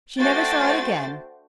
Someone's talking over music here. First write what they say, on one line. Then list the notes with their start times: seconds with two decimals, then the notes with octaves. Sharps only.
She never saw it again.
0.17 A3 D4 F#4 C5 G5 A6